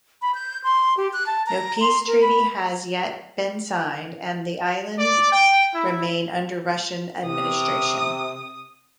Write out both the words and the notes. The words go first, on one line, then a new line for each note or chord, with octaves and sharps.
No peace treaty has yet been signed, and the islands remain under Russian administration.
B5
G6
C6
G4
F#6
A5
A#5
C6
A#4
B5
D5
G5
E4
C3 D#6